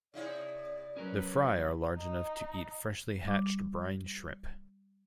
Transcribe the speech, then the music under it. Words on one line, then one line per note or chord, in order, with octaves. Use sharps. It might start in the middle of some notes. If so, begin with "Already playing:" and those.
The fry are large enough to eat freshly-hatched brine shrimp.
C3 D#4 E4 D5
F#3 C#4 A#4 B4
D#4
G3 D6